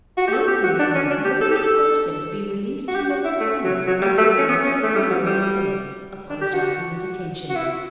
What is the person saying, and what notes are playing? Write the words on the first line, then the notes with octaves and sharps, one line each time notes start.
Early the next morning Lafitte caused them to be released from their confinement and saw them safe on board their pinnace, apologizing the detention.
F#4
G4
A4
G4
F#4
D4
C#4
D4
G4
A4
G4
A4
F#4
G4
F#4
E4
A3
F#3
F#3
G3
A3
C#4
B3
C#4
A3
G3
F#3
G3
D4
G4
F#4
F#4
E4